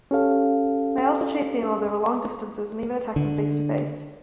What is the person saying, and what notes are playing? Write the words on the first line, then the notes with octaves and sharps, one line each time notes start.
Males will chase females over long distances and even attack them face-to-face.
C#4 G4 A4 F5
D3